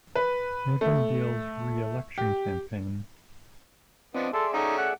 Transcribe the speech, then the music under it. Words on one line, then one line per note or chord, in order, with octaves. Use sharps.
Nathan Deal's re-election campaign.
B4
A3
G4
F3 B3 C4 D4 D5 D#5
G#4 A4 D5 E5 C6
A3 C#4 D#4 F#4
F#5